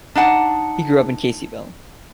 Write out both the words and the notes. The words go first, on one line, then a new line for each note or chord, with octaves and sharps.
He grew up in Caseyville.
D4 D#4 F#5 A5